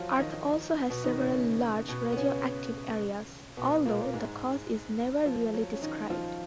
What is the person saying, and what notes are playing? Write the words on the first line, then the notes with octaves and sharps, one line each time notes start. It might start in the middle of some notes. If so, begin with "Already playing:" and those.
Earth also has several large radioactive areas, although the cause is never really described.
Already playing: F3 F#3 F4 F#4
D#3 D#4
B2 B3
D#3 D#4
C#3 C#4
B2 B3
B3
C#3 C#4
B2 B3
A#2 A#3
G#2 G#3
F3
F#3
C#4
D#3 D#4
F3 F4